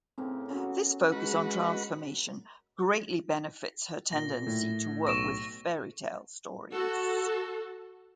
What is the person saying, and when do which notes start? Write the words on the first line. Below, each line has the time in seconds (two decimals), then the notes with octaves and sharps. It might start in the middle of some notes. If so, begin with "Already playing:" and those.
This focus on transformation greatly benefits her tendency to work with fairytale stories.
0.18 A2 C#3 A#3 C4
0.50 F#3 B3 C#4 F#4
1.12 G#3 F#4 A#4 B4
4.13 A#2 A#6 G7
4.47 A2
5.07 B1 C#6 E6 A#6 D7 E7
6.73 F#4 A4